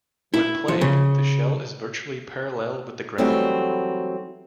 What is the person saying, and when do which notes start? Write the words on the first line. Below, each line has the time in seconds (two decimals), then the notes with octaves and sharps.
When played, the shell is virtually parallel with the ground.
0.34 E4
0.68 F3
0.81 C#3
3.18 E3 F#3 G3 A3 B3 C4